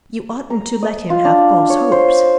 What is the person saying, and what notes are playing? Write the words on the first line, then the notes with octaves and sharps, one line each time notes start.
"You oughtn't to let him have false hopes."
A#5
D#5
F4
D4
C#5
C5